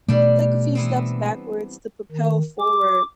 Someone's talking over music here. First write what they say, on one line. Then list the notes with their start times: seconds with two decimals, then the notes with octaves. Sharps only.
take a few steps backwards to propel forward
0.08 B2 E3 G3 A3 D4
0.75 E3 B3 C4
2.12 D#3
2.60 D6